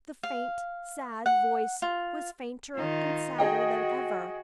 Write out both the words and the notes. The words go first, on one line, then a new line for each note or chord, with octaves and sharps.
The faint, sad voice was fainter and sadder than ever.
F5
F#5
F4
D#3 D#4 F4
F#4 G#4 D#5 G5